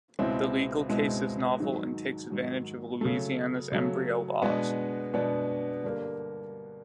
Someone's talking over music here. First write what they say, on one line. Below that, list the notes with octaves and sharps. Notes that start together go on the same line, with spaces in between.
The legal case is novel and takes advantage of Louisiana's embryo laws.
C#2 B2 G#3 C4 E4
C#2 B2 G#3 C4 E4
G#2 D#3 F#3
G#2 D#3 F#3
C#3 F#3 A3
C#3 F#3 A3
B2 G#3 B3 D4
B2 G#3 B3 D4
G2 D3 G3 A#3